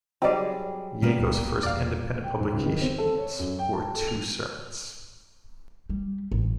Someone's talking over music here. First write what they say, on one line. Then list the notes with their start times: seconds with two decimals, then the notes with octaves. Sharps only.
Jago's first independent publications were two sermons.
0.22 F#3 G3 C4 D#4 G#4 D5
1.02 A#2 G3 G#3 A#3 B3 C#4
1.19 C#2
1.63 E1 D5 F5
2.23 G5
2.40 G#2
2.53 C#2
2.66 D#3
2.82 C4
2.98 A4
3.18 C#5
3.39 F#2
3.59 G5
3.73 A5
3.95 A4
4.07 F7
5.89 G3
6.32 A1